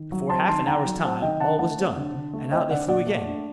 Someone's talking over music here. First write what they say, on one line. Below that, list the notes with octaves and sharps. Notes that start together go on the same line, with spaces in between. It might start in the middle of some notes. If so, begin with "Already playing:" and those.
Before half an hour's time all was done, and out they flew again.
Already playing: D#3
F#3
C4 A5 C6
D#3 A5 C6
D#3 G5 A#5
F#3
C4 F#5 A5
D#3 D#5 G5
D3 F#5 A5
A3 F#5 A5
C4
D3
D3
A3
C4 D#5 G5
D3 D5 F#5
A#2 D5 F#5
A3
D4